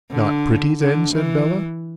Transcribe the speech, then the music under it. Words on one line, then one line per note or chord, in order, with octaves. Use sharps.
'Not pretty then?' said Bella.
D3
D3
E3